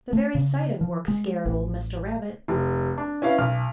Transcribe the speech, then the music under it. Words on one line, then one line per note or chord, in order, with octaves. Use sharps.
The very sight of work scared old Mr. Rabbit.
A3
C#3
F3
G#3
A1
F1
D4
C#4 E4 B4 F5
B1 F6